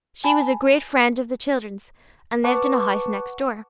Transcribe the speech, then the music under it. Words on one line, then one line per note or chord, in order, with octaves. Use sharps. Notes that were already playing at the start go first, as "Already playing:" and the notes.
She was a great friend of the children's, and lived in a house next door.
G#5 A5 B5
B4 F#5 A5 C#6 D6